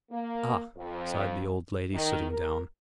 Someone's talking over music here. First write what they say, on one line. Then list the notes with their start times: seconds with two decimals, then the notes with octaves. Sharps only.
"Ah," sighed the old lady, sitting down.
0.11 A#3
0.76 F2
1.93 D#3
2.29 A#4